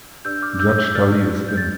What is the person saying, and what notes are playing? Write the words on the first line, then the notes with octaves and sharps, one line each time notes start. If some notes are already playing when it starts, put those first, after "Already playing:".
Judge Tully is in.
D4 G4 B4 D5 E6 G6
D6 F6
E6 G6
E6 G6
D4 G4 B4 D5 F6 A6
G6
A6